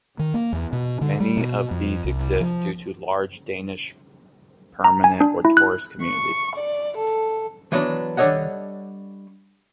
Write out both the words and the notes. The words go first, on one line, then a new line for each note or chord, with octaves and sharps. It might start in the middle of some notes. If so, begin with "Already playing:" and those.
Many of these exist due to large Danish permanent or tourist community.
D#3
A#3
E2
B2
D3
G3
B2
F2
C2
F3
A#5
G#5
D4
E4
F#6
C#6
D5
A4
E3 F#3 B3 D4
G3 D4 A4 C#5 D#5 F#5